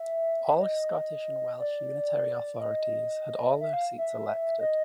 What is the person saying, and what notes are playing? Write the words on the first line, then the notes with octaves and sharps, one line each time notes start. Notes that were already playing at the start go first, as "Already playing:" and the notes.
All Scottish and Welsh unitary authorities had all their seats elected.
Already playing: E5
D#5
D5
D#5
E5
F5
E5
D#5